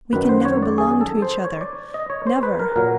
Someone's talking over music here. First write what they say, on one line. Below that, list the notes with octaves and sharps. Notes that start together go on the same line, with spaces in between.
"We can never belong to each other; never."
F#2 D#3 F#3 B4
C5
C#5
D5
G#4
A4
C5
C#5
D5
D#5
C#5
C5
B4
A#4
A#2 F#3 A#4